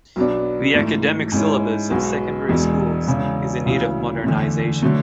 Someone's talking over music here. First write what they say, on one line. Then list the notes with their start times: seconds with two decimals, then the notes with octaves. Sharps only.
The academic syllabus of secondary schools is in need of modernization.
0.16 B1 B2 F#3 B3 D4
0.74 G#2 E3 A3
1.32 G#2 G#3 C#4 E4
1.91 B1 B2 G#3 B3 F#4
2.49 E1 E2 B2 G#3
3.07 E1 E2 C#3
3.66 D2 C#3 E3
4.23 E2 D3 A3
4.82 D3 F#3 A3